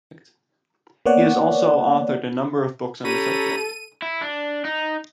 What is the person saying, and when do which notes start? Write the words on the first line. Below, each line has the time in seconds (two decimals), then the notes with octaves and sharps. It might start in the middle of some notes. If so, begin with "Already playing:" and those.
He has also authored a number of books on the subject.
1.06 A#3 B3 C#5 D5 F#5
3.05 C#4 G4 A4 A#5 B5 D#7
4.02 E4
4.22 D4
4.65 D#4